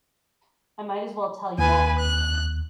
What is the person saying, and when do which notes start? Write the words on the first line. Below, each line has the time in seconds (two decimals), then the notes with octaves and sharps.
I might as well tell you all.
1.58 D#2 B4 G#5
1.99 F#6